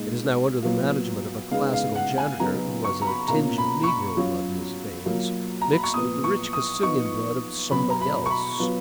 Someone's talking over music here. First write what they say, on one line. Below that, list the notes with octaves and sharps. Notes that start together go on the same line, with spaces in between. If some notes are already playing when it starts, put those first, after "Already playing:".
It is now under the management of a classical janitor, who has a tinge of negro blood in his veins, mixed with the rich Castilian blood of somebody else.
Already playing: A#2 G#3 D#4
A#2 F#3 B3 F4
C#3 G#3 B3 D#4 F5
F5
F#5
G#5
C#3 F#3 B3 D#4 A#5
C#6
A#5
B5
B2 A#3 C#4 F4 A#5
B5
C#6
B5
F#3 C#4 F4
F#3 A#3 F4
A#5
B5
C#6
A#2 F3 B3 D#6
C#6
D#6
F3 B3 D#4 C#6
B2 F#3 B3 B5
A#5
B5
C#6
B5
F#3 B3 F4